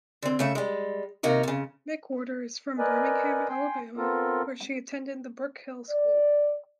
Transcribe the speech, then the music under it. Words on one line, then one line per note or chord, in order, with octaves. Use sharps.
McWhorter is from Birmingham, Alabama, where she attended the Brooke Hill School.
D3 C4
C#3 A3 E5
G3 G#3
D#2 C3 A#3 D#4 F#4
F2 C#3
A#4 B4 D5 D#5 G#5
G5 G#5 C6
B3 C4 F4 A4 A#4
D5